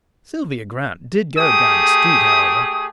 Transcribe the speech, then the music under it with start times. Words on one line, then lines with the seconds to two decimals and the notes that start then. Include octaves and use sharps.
Sylvia Grant did go down the street, however.
1.38 A3 G4 G#4 D#6